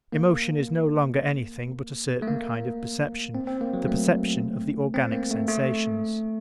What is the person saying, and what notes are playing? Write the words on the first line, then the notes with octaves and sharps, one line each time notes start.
Emotion is no longer anything but a certain kind of perception, the perception of the organic sensations.
A#3
A3
A#3
C4
C4
A#3
F#3
A3
C4
A#3
A3
A3